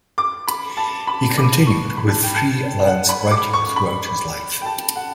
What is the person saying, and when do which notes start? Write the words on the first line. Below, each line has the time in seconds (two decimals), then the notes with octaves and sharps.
He continued with free-lance writing throughout his life.
0.18 D6
0.48 B5
0.77 A5
1.07 B5
1.38 D6
1.67 C#6
1.97 B5
2.10 A5
2.23 G5
2.35 A5
2.87 F#5
3.09 B5
3.31 D6
3.53 C#6
3.76 B5
4.61 G5
4.66 A5
4.95 F#5